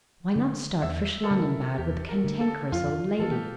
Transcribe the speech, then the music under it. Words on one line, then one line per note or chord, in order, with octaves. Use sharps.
Why not start for Schlangenbad with the Cantankerous Old Lady?
D3 A3 C#4
E2 E5
A4
D3 A3 C#4 A#4
E2 G4
A#4
D3 A3 C#4
A4
F2 F4
E3 A#3 C#4 A4
G4